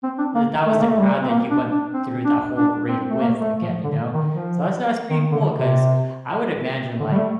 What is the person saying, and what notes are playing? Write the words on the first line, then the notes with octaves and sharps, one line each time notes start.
that that was the crowd that you went through that whole grade with, again, you know? So, that's a that's pretty cool 'cause I would imagine, like,
C4
D4
A#3
A3
A#3
A3
G3
C4
A#3
D4
D4
C4
D4
D4
C4
A3
A#3
A3
F3
D3
D#3
F3
D#3
D3
C3
D3
G3
A3